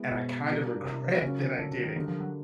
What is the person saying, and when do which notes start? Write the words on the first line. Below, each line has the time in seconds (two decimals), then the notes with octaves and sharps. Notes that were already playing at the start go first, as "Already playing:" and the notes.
and I kind of regret that I did it.
Already playing: G#3 B3 E4
0.12 B2
0.49 G3 A#3 D4
0.86 C3
1.22 C#3 F#3 A#3 C#4
1.59 D3
1.72 D3
1.83 D#3
1.96 D3 D#3 G3 A#3 D4
2.08 F3
2.20 F#3